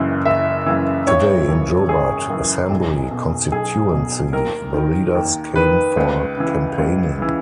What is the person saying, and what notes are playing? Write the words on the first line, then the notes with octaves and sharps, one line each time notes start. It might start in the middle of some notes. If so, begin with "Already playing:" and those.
Today in Jobat assembly constituency the leaders came for campaigning.
Already playing: F#1 F#2 C#3 E3
F#1 E5
F#2 C#3 E3
G#1 C#5
F#2 C#3 E3
G#1 G#4
F#2 C#3 E3
B1
B2
B1 G#4
B2
D#2 A#4
D#3
D#2
D#3 B4
C#2
C#3 E3
C#2
C#3 E3